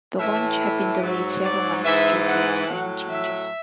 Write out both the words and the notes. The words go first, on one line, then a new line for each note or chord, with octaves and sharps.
The launch had been delayed several months due to design changes.
A2 E3 E5
E5
G#2 F#3 E5
D5
G#2 E3 E5
F#5
A2 F#3
E5